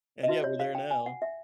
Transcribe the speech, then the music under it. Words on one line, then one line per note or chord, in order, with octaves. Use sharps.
And yeah, we're there now.
D#5
D#4 F#4 B4 E5
C#5
F5
G5
G#5
F#5
E5